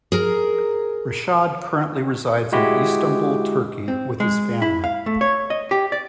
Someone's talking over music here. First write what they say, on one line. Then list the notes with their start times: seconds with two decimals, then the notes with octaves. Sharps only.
Reshad currently resides in Istanbul, Turkey with his family.
0.12 G#4 A#4 A#5
2.52 G#3 E4 F#4 G4
3.88 C4
4.20 G#3
4.62 E4
4.84 F5
5.06 A3
5.21 C#5
5.50 D#5
5.71 G4
5.92 D5